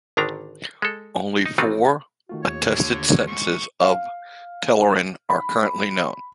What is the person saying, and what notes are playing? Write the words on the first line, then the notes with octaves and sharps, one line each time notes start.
Only four attested sentences of Telerin are currently known.
G#1 D3 D#3 D4 A#5
G#3 A4
D#4
D#3 E3 A3 C4 F4 F#4
D#3 A3 F4 F#4
D#2 C#5
D3
G#2 C#6
F5
B5